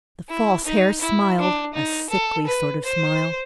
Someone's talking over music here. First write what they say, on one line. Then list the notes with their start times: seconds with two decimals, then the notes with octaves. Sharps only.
The False Hare smiled a sickly sort of smile.
0.29 E4
0.65 D#4
1.01 E4
1.39 D4
1.74 D#4
2.10 A4
2.47 B4
2.84 C5